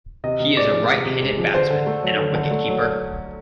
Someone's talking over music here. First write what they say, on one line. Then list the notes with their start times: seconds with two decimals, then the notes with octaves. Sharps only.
He is a right-handed batsman and a wicket-keeper.
0.24 C3 D#5
0.40 C3
0.56 G#3 D5
0.72 F3
0.89 C3
1.06 C3
1.21 G#3
1.38 F3
1.54 D3 C5
1.70 D3
1.86 A3
2.03 F#3
2.19 D3
2.35 D3
2.51 A3
2.69 F#3